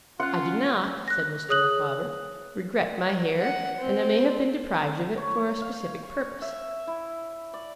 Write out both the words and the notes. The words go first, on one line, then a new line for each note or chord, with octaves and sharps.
I do not,' said Mr. Micawber, 'regret my hair, and I may have been deprived of it for a specific purpose.
C#4 F4 F#5 C6 F#6
F#6 A#6
G#4 C#5 D#6 F#6 F#7
F#5
C4
C#5
F5
C#6
E5
E4
D5